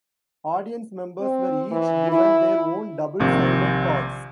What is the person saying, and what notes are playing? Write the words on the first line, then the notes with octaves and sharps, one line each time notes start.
Audience members were each given their own double-sided cards.
C4
E3
E4
A#1 C3 D#3